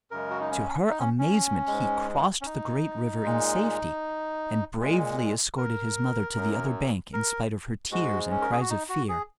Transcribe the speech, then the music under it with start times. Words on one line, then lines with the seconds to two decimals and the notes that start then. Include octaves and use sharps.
To her amazement he crossed the great river in safety and bravely escorted his mother to the other bank in spite of her tears and cries of fear.
0.11 F#2 C#3 G#3 A#4
0.30 F#4
0.40 D#4
0.51 C#4
0.89 D#4
1.00 C#4
1.19 C#4
1.67 G#2 G#3
2.41 C#4
2.46 D#4
3.24 A#2 G#3
4.80 A#2 G#3
5.58 A#4
6.36 F#2 F#3
7.13 A#4
7.92 G#2 G#3 F#4
8.31 C#4
8.42 A#4
8.51 G#4
8.60 F#4
8.70 D#4
8.89 F#4
9.09 G#4